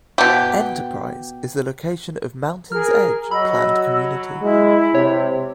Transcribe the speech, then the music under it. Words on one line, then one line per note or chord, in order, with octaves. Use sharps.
Enterprise is the location of the Mountain's Edge planned community.
B2 G4
G#4 A#4 F6
F#3 D#5 B5 E6
G#3 E4
C3 C#5